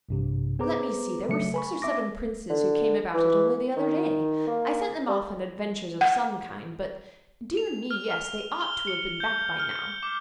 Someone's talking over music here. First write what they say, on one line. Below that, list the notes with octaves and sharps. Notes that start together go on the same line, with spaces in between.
Let me see, there were six or seven Princes who came about it only the other day. I sent them off on adventures of some kind, but--dear me, yes, they ought to have been back by now.
A#1 G2 C3
B3 G#4 B4 C5 A#5 D6
C#3 F#3 A3 C#7
G#5 B5 C#6
C4 E5 D6 A#6
D3
E3
D#3
A#3
G3
F#5
F7
F6
F6
G7
C#7
G6
F6
D6